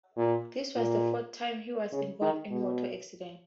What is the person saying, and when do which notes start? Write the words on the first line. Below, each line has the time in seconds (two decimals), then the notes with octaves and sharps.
This was the fourth time he was involved in motor accident.
0.17 A#2
0.76 A#2
1.93 C#3
2.22 D#3
2.51 B2